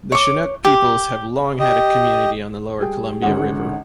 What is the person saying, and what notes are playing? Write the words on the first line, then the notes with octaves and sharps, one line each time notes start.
The Chinook peoples have long had a community on the lower Columbia River.
C#5 D6
G4
G4 D#5
G3 G#4 G5
G#1 D3 D#3 C#4 G#4 F#5